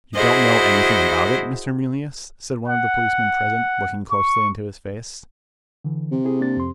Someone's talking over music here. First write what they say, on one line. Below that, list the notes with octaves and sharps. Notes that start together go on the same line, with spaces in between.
"You don't know anything about it, Mr. Mealyus?" said one of the policemen present, looking closely into his face.
E4 F#4 G#4 C5 D#5
F#5
C#6
D3 E3
C3
E4 G#4
A#3 D4 A6
F2 C6